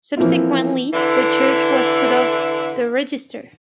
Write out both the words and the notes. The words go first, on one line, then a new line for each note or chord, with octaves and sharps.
Subsequently, the Church was put off the register.
E3 F3 A#3 C4 E4 F4
D3 E3 E4